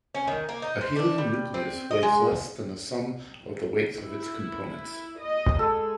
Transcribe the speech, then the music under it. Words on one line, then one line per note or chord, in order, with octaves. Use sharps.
A helium nucleus weighs less than the sum of the weights of its components.
C#4
D#3
A#3
D#4
C5
D4
G3
C4
D#5
G#3
E4
D#5
G#3 A4